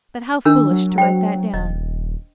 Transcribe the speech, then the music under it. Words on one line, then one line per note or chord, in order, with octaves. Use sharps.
But how foolish to write that down!
D#3 D4 A#4 E6
F#3
C5 G5
D#1 D#5